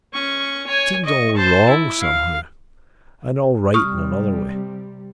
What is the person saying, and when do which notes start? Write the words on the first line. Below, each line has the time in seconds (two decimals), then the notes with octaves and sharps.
It seemed all wrong, somehow--and all right in another way.
0.13 C#4 C#6
0.67 C#5 G#5
1.05 D#5 C#6
1.36 C5 A5
1.69 E4
2.02 F5
3.74 C3 G3 C#6 D#6 F6